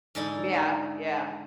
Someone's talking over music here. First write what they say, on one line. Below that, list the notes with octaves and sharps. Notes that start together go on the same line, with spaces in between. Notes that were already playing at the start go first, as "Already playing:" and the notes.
Yeah, yeah.
G#2 D3 G#3 D#4 E4